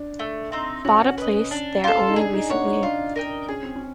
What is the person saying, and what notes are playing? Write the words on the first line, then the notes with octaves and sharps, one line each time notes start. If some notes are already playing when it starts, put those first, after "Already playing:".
Bought a place there only recently.
Already playing: D4
A3
C4 D#4
C#4 F#4
B4 D#5
D4
F4 A4
D#4
D4 G#4
D#4
D4 C#5 F#5
D#4
D4 F4
A#4 D#5 G5
C#4 G#4
C4
C#4